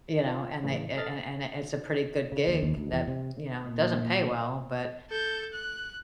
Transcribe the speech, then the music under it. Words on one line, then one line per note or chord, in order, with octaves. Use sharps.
you know, and they a a and it it's a pretty good gig that, you know, doesn't pay well, but,
F4
A2 C#3 E3
A4 D#5 F6 A6
C#3
D#2
D#2
D2
E2
C3
A#2
A4 G6
F#6